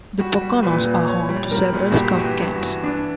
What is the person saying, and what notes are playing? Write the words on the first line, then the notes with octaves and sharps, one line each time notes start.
The Poconos are home to several Scout camps.
G3 F#4
G3
A#2 B4
A#2
A#2 C#5
G3
G3 A#4
A#2
F#4
G2 G4
E3 F#4
G4
G2
F#4
E3
E3 D4